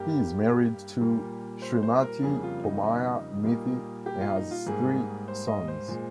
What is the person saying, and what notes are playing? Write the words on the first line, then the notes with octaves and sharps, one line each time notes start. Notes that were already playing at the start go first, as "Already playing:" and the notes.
He is married to Shrimati Pomaya Mithi and has three sons.
Already playing: G2 G3 A#3 G4
A#2 G3 A#3
C5
C5
A#4
F2 C#3 G3 A#3 G#4
F4
D#4
D#4
A#2 G3 A#3
G4
F4
D#4
F4
G#2 G3 A#3 G#4
C5
D#5
C5
A#2 G#3